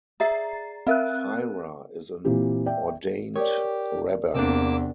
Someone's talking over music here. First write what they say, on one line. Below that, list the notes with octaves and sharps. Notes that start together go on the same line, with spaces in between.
Firer is an ordained rabbi.
G#4 D5 E5 A#5 A6 C7
C4 A#4 E5 F5 F#6
A#2 E3 C4 G4
D5 E5 G5
G4 A#4 C#5 D5
E2 C3 A#3 C4 D4 D6 E6